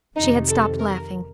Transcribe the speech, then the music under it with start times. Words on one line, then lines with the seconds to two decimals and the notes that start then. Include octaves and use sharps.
She had stopped laughing.
0.16 F2 C3 D#3 D#4
0.48 A4
0.79 A#4